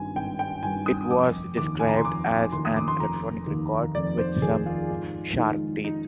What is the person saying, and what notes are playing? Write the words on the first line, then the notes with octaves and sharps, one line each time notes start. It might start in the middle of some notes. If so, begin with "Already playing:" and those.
It was described as an "electronic record with some sharp teeth".
Already playing: G#1 G2 D#3 G3 G#5
G#1 G5
G5
G2 D#3 G3 G#5
D#6
F1 D6
D#2 D#3 D6
G#5
A#5
C6
F1 D6
D#2 D#3 C6
D#6
D6
C6
F1 A#5
D#2 D#3
F1 D5
C5
D#2 D#3 G#4
F4
G#2
D#3 G#3 D#4
D#4